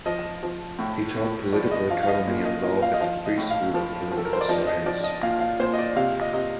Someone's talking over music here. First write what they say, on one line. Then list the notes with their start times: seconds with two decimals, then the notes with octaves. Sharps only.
He taught political economy and law at the Free school of political science.
0.06 F3 D#5
0.43 F3
0.79 A2
1.16 A2
1.52 F3 D5
1.71 D#5
1.90 F3 F5
2.03 F5
2.08 D#5
2.27 A#2
2.45 D#5
2.63 A#2 D#5
2.82 F5
2.94 D#5
3.01 F3 F5
3.26 D#5
3.38 A2
3.50 F5
3.74 F3
4.11 F3
4.17 A4
4.25 A#4
4.33 C5
4.41 D5
4.48 F3 D#5
4.67 D#5
4.86 F3 D5
5.04 D#5
5.23 A#2 F5
5.40 F5
5.59 A#2 C5
5.74 D#5
5.78 D5
5.96 C3 F5
6.21 D#5
6.33 C3 D#5